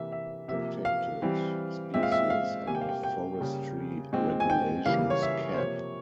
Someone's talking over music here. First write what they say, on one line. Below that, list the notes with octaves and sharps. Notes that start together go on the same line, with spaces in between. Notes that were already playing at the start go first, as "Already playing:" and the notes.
Protected Species under Forestry Regulations Cap.
Already playing: C3 E3 A#3 E5
E5
C3 F3 A#3 E5
F5
E3 G3 C4
A#2 G#3 C4 E5
F5
E5
F5
C3 G3 A#3 G#5
G5
F5
G5
G5
C#3 G3 A#3
A#2 G#3 C4
G#5
G5
C#3 E3 G3 A#3 F5
C#5
E5
C5
C3 F3 A#3 C#5